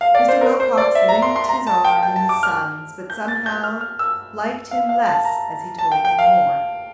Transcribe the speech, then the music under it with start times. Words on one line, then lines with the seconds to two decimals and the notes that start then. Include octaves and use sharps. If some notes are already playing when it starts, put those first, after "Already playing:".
Mr. Wilcox linked his arm in his son's, but somehow liked him less as he told him more.
0.01 F5
0.15 D5
0.28 C5
0.41 A#4
0.60 C5
0.78 D5
0.95 E5
1.08 A#5
1.22 C6
1.36 C6
1.49 A#5
1.67 A5
1.85 G5
2.03 G5
2.16 A5
2.29 D6
2.43 F6
3.10 G6
3.28 A6
3.46 G6
3.64 F6
3.81 F6
3.99 E6
4.71 F5
4.89 F5
5.07 A5
5.25 A#5
5.79 A5
5.92 G5
6.05 G5
6.19 F5